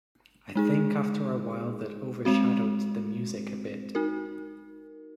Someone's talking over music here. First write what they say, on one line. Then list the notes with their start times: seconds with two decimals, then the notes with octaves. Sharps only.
I think after a while that overshadowed the music a bit.
0.55 G#3 D#4 G#4
2.25 G#3 C4 F#4
3.95 D#4 F#4 A#4